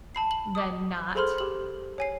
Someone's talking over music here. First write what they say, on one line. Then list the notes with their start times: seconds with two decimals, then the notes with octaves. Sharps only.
than not,
0.15 A5 B5 C7
0.31 F#7
0.55 D6 D#6
1.15 G#4 A4 C5 B5 C6 F6
1.38 G4 F#7
1.98 C#5 G#5 C7